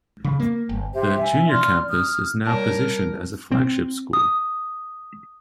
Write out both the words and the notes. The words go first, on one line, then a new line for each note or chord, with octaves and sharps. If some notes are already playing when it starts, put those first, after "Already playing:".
The Junior Campus is now positioned as a flagship school.
C#3
A#3
G1
G4 C5 E5
E5 G#5
D5 C6 F6
D#6 F6
G3 A#4 C#5 A5
C4
D#6